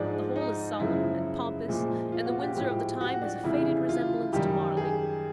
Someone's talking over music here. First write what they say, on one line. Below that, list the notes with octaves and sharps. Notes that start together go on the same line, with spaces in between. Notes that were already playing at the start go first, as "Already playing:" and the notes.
The whole is solemn and pompous, and the Windsor of the time has a faded resemblance to Marly.
Already playing: G#2 F3 G#3 D4
D#4
F#2 C#3 F3 G#3 E4
A#2 F3 G#3
F4
F#4
G4
A2 F3 G#3 G4
F#4
D4
F2 C#3 E3 G3 E4
F4
F#2 D#3 G3 G4
G#4